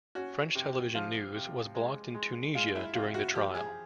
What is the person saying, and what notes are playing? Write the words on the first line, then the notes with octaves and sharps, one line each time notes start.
French television news was blocked in Tunisia during the trial.
C#4 F#4
C3
F3 F4
C3
G#3
G#3
G#3 F4
E4
C3 F4
F#4
F3 G4
G#4